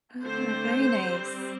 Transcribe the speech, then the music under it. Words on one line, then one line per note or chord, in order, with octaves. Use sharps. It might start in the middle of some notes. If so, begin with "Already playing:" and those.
Oh, very nice.
D3 A3 C4 C5
G3 C4